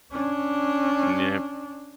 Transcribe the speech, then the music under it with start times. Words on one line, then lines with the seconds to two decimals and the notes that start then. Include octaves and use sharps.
Mm, yep.
0.12 C#4 D4